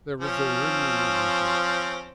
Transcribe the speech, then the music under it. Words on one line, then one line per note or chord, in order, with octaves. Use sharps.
There was a ringing in his ears.
F3 C4 C#4